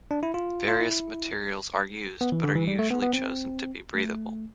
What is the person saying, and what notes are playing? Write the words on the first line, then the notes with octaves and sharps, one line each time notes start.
Various materials are used, but are usually chosen to be breathable.
D4
E4
F4
F4
E4
B3
E3
D3
E3
G3
A3
B3
B3
C4
A3